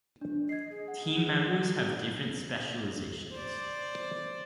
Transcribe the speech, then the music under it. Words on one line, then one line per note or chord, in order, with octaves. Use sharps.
Team members have different specializations.
D4
D#5 G#6 C7
G#4
F#5
C5 D5